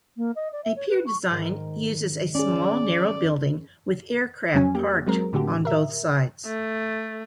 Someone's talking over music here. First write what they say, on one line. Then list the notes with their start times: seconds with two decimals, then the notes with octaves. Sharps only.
A pier design uses a small, narrow building with aircraft parked on both sides.
0.17 A#3
0.36 D#5
0.53 D5
0.64 E5
0.76 C#5
0.89 B4
1.07 C#6
1.31 G#2 D#3
2.35 C#4 G#4 D5
4.54 F2 F#3 C#4 G#5
4.75 A#3 G4
5.07 F#3 G#3 C4 A#4
5.33 A2 D3 F#4 G4
5.65 A#4 E5
6.45 A3